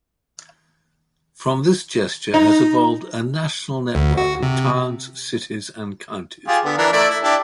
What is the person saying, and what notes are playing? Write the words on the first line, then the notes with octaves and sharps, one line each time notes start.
From this gesture has evolved a national network of towns, cities and counties.
D#4
D2
F#4
C3
F4 G4 G#4
D3 B3
E3 D4 A#4
A3 E4 D5
E4
D4 E4 G4